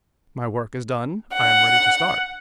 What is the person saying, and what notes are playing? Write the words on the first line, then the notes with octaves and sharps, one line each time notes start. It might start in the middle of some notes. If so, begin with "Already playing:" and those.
My work is done: I am ready to start.
F#5